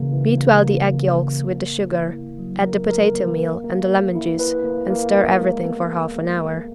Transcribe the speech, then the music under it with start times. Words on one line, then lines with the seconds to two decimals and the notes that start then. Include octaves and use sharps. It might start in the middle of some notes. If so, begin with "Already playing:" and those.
Beat well the egg-yolks with the sugar, add the potato meal and the lemon juice and stir everything for half an hour.
Already playing: C#3 E3 A#3
0.13 E3
0.37 A#3
0.62 A#3
0.87 C#3
1.12 A#3
1.38 A#3
1.64 A#3
1.88 E4
2.13 A#3
2.39 F#3
2.64 A#4
2.89 A#4
3.15 A#3
3.39 A#3
3.64 A#3
3.89 A#3
4.15 E4
4.39 B4
4.64 A#3
4.90 A#3
5.15 A#3
5.41 G#3
5.66 B3
5.91 G#3
6.16 G#3
6.41 G#3